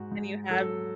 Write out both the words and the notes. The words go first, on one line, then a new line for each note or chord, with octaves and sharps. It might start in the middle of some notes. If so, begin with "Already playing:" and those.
And you have
Already playing: G#2 F#4
G#2
F#3 A4